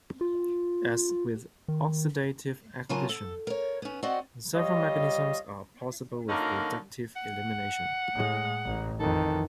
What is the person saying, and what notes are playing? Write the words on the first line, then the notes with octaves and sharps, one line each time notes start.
As with oxidative addition, several mechanisms are possible with reductive elimination.
F4
D#3
C#3 F#3 F4 A#4 G#5 A5
A4
A#4 C#5
B3 C#4
C4 F#4 D5 D#5 F#5
G3 F4 C#5 D#5
D3 A#3 C#4 D#4 A#4
F#5
A2 G#3
A1
F2 D#3 E3 A4